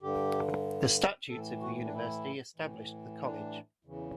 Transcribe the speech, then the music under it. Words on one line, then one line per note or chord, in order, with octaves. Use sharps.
The statutes of the university established the college.
G2 D3 G4
A2 E3 A4
F#4
D4
E4
A2 E3
D4
E2 C#3 E3